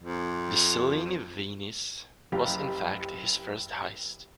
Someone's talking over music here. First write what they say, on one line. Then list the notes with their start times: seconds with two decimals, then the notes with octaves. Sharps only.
The Cellini Venus was, in fact, his first heist.
0.04 F2
2.32 F#1 G4 F5